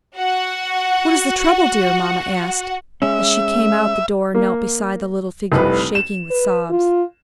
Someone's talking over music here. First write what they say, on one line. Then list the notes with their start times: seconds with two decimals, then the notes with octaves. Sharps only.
"What is the trouble, Dear?" Mamma asked, as she came out the door and knelt beside the little figure shaking with sobs.
0.17 F#4 F#5
3.02 G#3 C#4 E5
4.35 A#3
5.52 F1 C2 B4
5.95 E7
6.31 B4
6.70 F4